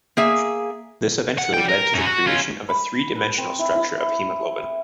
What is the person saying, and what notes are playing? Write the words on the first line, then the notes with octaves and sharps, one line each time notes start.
This eventually led to the creation of a three-dimensional structure of haemoglobin.
A#3 G#4 E5
F#5
G3 G5
A#4
F#2 C#4
F#4
C#4 F4
B5
B4
C4
E4
E4